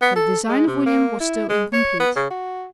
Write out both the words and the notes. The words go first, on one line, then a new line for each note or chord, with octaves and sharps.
But the design of William was still incomplete.
B3
A4
G#3
C3
A#3
E4
G#3
C#5
B3
C#3
F#4